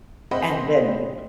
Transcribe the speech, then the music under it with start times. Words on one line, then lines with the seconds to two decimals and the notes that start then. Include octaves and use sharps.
and then, w
0.31 C4 C5 D#5 E5 F#5 B5